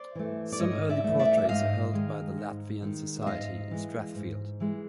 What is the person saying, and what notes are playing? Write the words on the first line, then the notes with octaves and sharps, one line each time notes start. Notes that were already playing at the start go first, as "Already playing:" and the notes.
Some early portraits are held by the Latvian Society in Strathfield.
Already playing: C5 D5
E3 A3
D5
G#2 C#5 D#5
D5 E5
E3 A3
D5 E5
E5
G#2 D#5 F5
D#3 G#3
G#2
D#3 G#3
E5
G#2 D#5 F5
E3 G#3
G#2
E3 G#3